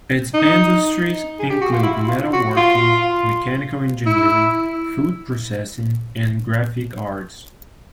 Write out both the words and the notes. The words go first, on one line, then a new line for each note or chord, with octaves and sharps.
Its industries include metalworking, mechanical engineering, food processing and graphic arts.
D#4
G#4
G4
F#4
F4
E4
F4
F#4
F4
E4